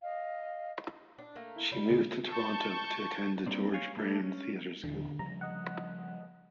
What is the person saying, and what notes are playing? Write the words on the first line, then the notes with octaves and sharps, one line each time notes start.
She moved to Toronto to attend the George Brown Theatre School.
D#5 F5
D4
A3 A#3
E4
G3
D2 G#4
A5 C#6 G6
G3 A#3 C4 D4
C#5 F5 G#5
A3 D4 A4
C#4
D#1 D#2 D3 E3
C#3 F3 G3 A#5
D#5 F#5